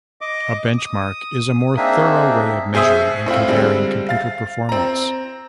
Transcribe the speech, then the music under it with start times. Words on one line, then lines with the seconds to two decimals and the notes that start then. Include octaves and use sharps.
A benchmark is a more thorough way of measuring and comparing computer performance.
0.21 D#5 D6
0.78 D#6
1.77 A#3 C4 D4 D#4 G#4 E5
2.74 B2 G#4 C5 E5 D#6
3.26 A2 C4 E4 F4
3.48 D3 G3 G#3 C4
4.09 F5 A6
4.69 C4 A#5